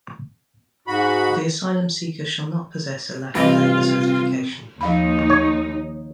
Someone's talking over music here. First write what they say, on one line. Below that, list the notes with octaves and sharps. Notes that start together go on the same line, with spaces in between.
The asylum seeker shall not possess a lack of labor certification.
G#2 F#4 B5
G2 C3 E3 C4 F4 G4 D#5
D#2 F3 D#4 F5 B5
C#5